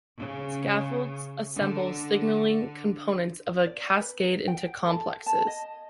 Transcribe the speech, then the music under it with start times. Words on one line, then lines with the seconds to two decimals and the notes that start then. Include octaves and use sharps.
Scaffolds assemble signaling components of a cascade into complexes.
0.18 C#3
1.56 D3
3.66 D5
4.00 B4
4.48 G5
4.87 A4
5.26 A5
5.47 D#5